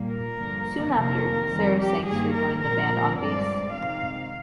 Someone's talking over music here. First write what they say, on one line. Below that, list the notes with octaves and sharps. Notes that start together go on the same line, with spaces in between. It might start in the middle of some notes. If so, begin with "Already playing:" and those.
Soon after, Sarah Sangster joined the band on bass.
Already playing: A#2 G3 A#3
A#4
G2 D3 F3 A#3
F2 C3 D#3 A#3 A#4
F2 D#3 G3 C4
G4
G2 D#3 A#3 G#4
A#4
A#2 F3 G#3 C4 A#4
G2 F3 G#3 C4 D5
C3 D#3 G#3 C4 F5